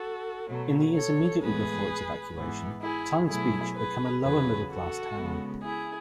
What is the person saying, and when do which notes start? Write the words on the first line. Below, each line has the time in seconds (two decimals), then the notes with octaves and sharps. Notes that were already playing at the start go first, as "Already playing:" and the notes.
In the years immediately before its evacuation, Times Beach had become a lower-middle-class town.
Already playing: F#4 A4
0.49 B2 F#3 A3
0.95 A4 C#5
1.42 A2 E3 G#3 B3 G#4 B4
2.36 G#2 E3 B3
2.82 E4 G#4
3.29 B2 F#3 A3 E4 G#4
3.76 G#4 B4
4.22 E2 C#3 F#3 G#4 B4
4.70 F#4 A4
5.16 C#3 G#3 B3
5.62 E4 G#4